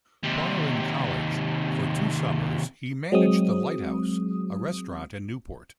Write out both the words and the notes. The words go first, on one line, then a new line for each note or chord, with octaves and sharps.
While in college, for two summers he managed The Lighthouse, a restaurant in Newport.
D#2 C3
F#3 G#3 C4 D#6